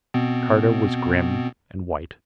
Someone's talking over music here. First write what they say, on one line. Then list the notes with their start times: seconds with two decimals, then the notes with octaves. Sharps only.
Carter was grim and white.
0.14 B2 B3 C4